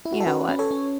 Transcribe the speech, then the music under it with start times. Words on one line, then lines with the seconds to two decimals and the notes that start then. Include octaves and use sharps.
you know, uh,
0.05 E4
0.12 F#4
0.20 A4
0.27 C#4 F#4 B4
0.49 C#4
0.59 A4 C#5
0.71 C#4